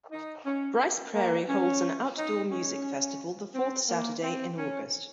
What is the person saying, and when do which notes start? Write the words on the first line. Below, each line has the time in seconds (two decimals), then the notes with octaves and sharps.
Brice Prairie holds an outdoor music festival the fourth Saturday in August.
0.11 D#4
0.46 C#4
1.14 A#3
1.48 C#4
2.17 D#4
2.51 C#4
3.54 C4
3.88 A#3
4.23 C4
4.57 C#4